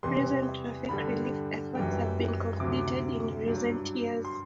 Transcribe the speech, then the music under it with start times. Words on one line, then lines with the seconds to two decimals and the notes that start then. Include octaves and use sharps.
Recent traffic relief efforts have been completed in recent years.
0.03 E2 C3 E3 G3 C6
0.89 G2 D3 G3 B5
1.75 F#2 E3 G3 G5
2.60 D2 C3 F#3 D6
3.46 G2 F#3
4.25 C6